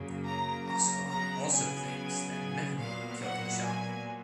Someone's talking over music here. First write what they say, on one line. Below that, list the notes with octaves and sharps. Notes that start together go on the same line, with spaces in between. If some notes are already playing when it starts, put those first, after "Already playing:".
Aswad also thinks that Mehreen killed Mashal.
Already playing: F#2 C#3 F#3 A#3
A#5
A#5
C#3 F#3 B3 A#5
G#5
A#2 F#3 B3 F5
F#5
G#5